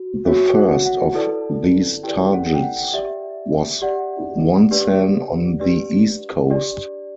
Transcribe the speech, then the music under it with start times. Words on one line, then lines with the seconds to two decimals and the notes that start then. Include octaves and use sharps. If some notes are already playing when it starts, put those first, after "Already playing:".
The first of these targets was Wonsan on the east coast.
Already playing: F#4
0.26 F#4 C#5 E5
0.56 F#5
0.85 F#5
1.14 E4 A4 B4 D5 A5
2.03 E4 G4 B4 D5 G5
2.33 F#5
2.54 G5
2.63 F#5
2.94 G4 D5 E5
3.82 G4 D5 F#5
4.71 D4 G4 B4 D5
5.60 D4 G4 B4 D5
6.50 D4 G4 D5